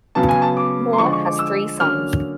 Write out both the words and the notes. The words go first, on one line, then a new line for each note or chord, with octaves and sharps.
Moore has three sons.
C#3 F#3 B3 A5
G#5
A5
D6
C6
D3 F3 G#3 C#6
C#6
D6
E6
D3 F#3 A#3 C#4 F6